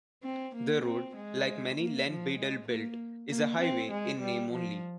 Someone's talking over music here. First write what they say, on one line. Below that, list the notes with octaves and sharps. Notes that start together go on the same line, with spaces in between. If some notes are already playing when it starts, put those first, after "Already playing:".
The road, like many Len Beadell built, is a "highway" in name only.
C4
A#3
C4
G#3
A#3
F3
G#3
A#3
A#3
C4
G#3
G3
F3